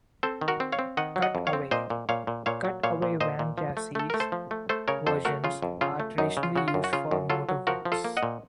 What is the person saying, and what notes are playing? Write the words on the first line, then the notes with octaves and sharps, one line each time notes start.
Cut-Away: Cutaway van chassis versions are traditionally used for motor homes.
C4 A4 C5
D#3
F#4 A#4
C4
C#5 F5
C4
D#3 D#5 F#5
F#3
D#5 F#5
F2
C#5 F5
C4
A#2 C5 D#5
A#2
A#2 C#5 F5
A#2
A#2 C#5 F5
F#3
A#2 C#5 F5
A#2
A#2 C5 D#5
A#2
F3
A3
A3 A4
A3 A#4
A4 C5
F3
A3
A3 A4 C5
C#3 A#4 C#5
F2 A4 C5
A3 F#4 A#4
C#3 F4
F2
C#3 F4
A3
F#2 D#4
C#3
F4
C#3 F#4
F4
F#2
F#4
C#3 F4
F#2
F#3 F4 A4
F#3
F3 F#4 A#4
F3
F4 A4
A#3
D#5 F#5
A#2